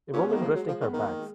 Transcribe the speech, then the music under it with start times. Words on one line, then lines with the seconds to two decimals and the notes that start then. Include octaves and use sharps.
A woman resting her bags.
0.13 A#2 C#4
0.21 B2
0.24 C#3 B3
0.33 D#3 A#3
0.42 F3 G#3
0.55 F#3
0.68 F3
0.81 D#3 B3
0.93 D#3 A#3
1.19 G#3